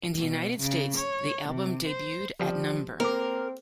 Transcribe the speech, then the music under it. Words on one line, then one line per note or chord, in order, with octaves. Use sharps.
In the United States, the album debuted at No.
B2
C#3
C#5
C3
C5
F3 G3 G4
A#3 C4 A#4 D6